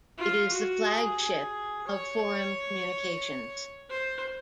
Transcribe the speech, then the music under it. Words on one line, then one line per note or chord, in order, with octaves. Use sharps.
It is the flagship of Forum Communications.
F4
F#4
G#4
G#4
C#5
C5